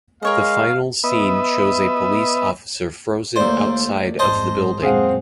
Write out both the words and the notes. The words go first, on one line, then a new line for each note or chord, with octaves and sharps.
The final scene shows a police officer frozen outside of the building.
G#3 A#4 C#5 D#5 F5
B3 B4 D#5 E5
D#2 A3 A#3 C5 D5
A1 F2 G#2 C5 D#5 A5
F#2 A#2 G#3 C4 G#4 F5 F#5